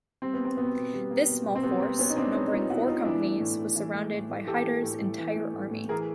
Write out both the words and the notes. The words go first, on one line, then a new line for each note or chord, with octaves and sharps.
This small force, numbering four companies, was surrounded by Hyder's entire army.
G3 C4
B3
A#3
C4
B2 B3
B2
G3
A#3
B2
B2
C4
G3 B3
A#3 C4
B2 B3 C#4
D#4
B2 C4 D4
G3 C#4 D#4
A#3 D#4 F4
B2 E4 F#4
B2 D#4 F4
E3 D4 E4
A3
A2
A2
E3
A3
A2
A2
E3 G4 A4
A3
A2
A2
E3
A3
A2
A2
E3 G#4 A#4